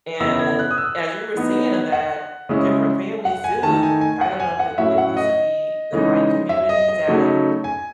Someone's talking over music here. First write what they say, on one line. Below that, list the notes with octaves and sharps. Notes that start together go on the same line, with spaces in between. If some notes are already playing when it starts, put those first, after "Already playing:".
and as you were saying that different families do I don't know if it it used to be the white community that
C#3 E3 B3 E4 E6
G#6
F#6
D#6
E6
E3 B3 D#4
F#5
C#3 G#3 C#4 E4
F#5
G#5
D#3 A3 D#4 A5
G#5
G#5
F#5
G#5
F#5
A2 F#3 C#4 E4 E5
F#5
D#5
C#3 E3 G#3 D#4
E5
D#5
D#5
C#3 F#3 A3 D#4
G#5